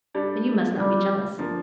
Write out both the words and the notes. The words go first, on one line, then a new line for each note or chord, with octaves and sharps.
"But you must not be jealous."
G3 D4 A4
G3
D3 F3 A#3